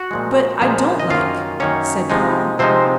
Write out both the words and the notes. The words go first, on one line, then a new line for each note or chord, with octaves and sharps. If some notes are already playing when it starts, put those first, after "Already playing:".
"But I don't like," said Paul.
Already playing: F#4 F#5
A#2 F3 G#3
A#2 F3 G#3
D#5
F#2 D#3 A#3 C#4 F4 F5
F#2 D#3 A#3 C#4 C#5
C3 F3 G#3 D#4
C3 F3 G#3 C4 D#4 C5